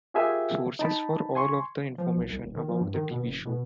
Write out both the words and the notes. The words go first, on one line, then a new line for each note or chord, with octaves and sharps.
Sources for all of the information about the TV show.
F4 G4 G#4 A#4 E5 G#5
D#4 A5 B5
G#5 C6 C#6
F3
B1
C2
D#1
D#3
F3
G2
D#3
B2
F#1
B2